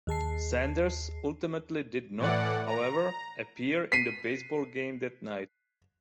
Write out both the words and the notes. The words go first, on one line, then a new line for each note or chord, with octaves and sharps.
Sanders ultimately did not, however, appear in the baseball game that night.
D#2 G#4 A5 C7
A2 E3 D5 F#5
A#5
B6 C7 D#7